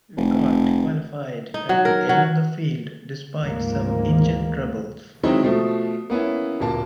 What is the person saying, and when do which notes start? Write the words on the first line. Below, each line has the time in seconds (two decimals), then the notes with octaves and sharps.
Migault qualified at the end of the field despite some engine troubles.
0.17 F1
1.54 D#4
1.69 F#3
1.85 A#4
2.09 F#3
3.42 D2 G#2 F3 G#3 A#3
5.23 D#3 F#3 G#3 C4 D#4 E4
5.43 B2 F3 A3
6.10 A#3 B3 C#4 E4
6.60 D1 A#2 A#3 A5